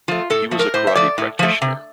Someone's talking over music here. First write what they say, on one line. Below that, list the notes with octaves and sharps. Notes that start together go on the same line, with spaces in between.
He was a karate practitioner.
F3 A3 F4
A2 A4
F3 A3
A#4
A2 C5
E5
F3 A3 D5
A2
F3 A3
C3